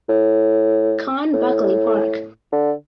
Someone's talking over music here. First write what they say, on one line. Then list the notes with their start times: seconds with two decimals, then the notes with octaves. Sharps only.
Con Buckley Park.
0.09 A2
1.33 A2
2.52 D3